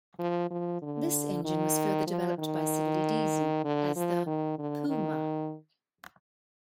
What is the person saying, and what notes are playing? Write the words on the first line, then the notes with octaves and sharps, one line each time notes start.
This engine was further developed by Siddeley-Deasy as the Puma.
F3
F3
D3
D#3
F3
D#3
D3
F3
D#3
D3
D#3